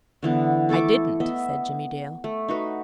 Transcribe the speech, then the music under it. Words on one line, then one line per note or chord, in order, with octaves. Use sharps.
"I didn't," said Jimmie Dale.
D3 E3 B3
A3 E4 A4 D6
B3 D#5 E5
A3
D#4 F#4 B4